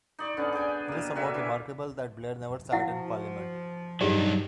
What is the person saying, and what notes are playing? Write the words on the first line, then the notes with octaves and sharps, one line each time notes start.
It is somewhat remarkable that Blair never sat in parliament.
D#4 D5 C#6
D3 B3 C#4
G#4 D5 G5 G#5
B2 A#3
D3 F#4 C#5 E5
E3
F3 E4 F#4 F5 F#5
G2 F#3 D#4 G4 G#4 D5